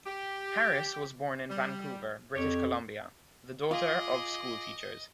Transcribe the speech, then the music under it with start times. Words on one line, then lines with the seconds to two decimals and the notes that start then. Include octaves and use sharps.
Harris was born in Vancouver, British Columbia, the daughter of schoolteachers.
0.06 G4
1.50 G3
2.36 F2 G4 C#5
3.71 F4 G#4 D#5 D6